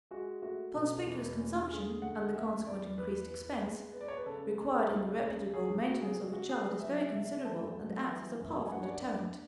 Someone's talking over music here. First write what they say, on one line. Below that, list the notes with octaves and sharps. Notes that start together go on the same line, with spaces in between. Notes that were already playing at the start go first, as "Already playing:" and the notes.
The conspicuous consumption, and the consequent increased expense, required in the reputable maintenance of a child is very considerable and acts as a powerful deterrent.
G#3 F#4
A3 F#4
B2
E2
C#4
D3 G#4
D2 F#5
C#4 E5
E2 D5
B3 B4
B3
G#3
B3
D5
C#5
B4
C#3 A4
G#3
C#2
C#3
C#3 G#4
C#3 F#4
G#4
C#3 F#4
F#4
C#3 G#4
B4
F#3 E5
C#3 E5
A3 A5
F#3
E3
F#2
G#5
D4 F#5
C#5
D5
D4 D5